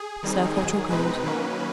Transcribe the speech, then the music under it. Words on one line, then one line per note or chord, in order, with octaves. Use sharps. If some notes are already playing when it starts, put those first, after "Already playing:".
Serve hot or cold.
Already playing: G#4
D#3 G3 C4 D#4
G#2 D#3 F#3 G#4
B2 G#3 C4 D#4 B4
D#3 F#3 A#3 C#4